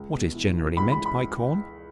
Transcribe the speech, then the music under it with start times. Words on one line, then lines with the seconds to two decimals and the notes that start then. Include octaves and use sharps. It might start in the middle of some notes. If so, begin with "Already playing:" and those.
What is generally meant by Corn?
Already playing: C#2
0.14 B2
0.34 E3
0.56 E3
0.77 C#2 B5
0.92 B5
0.98 E3
1.06 B5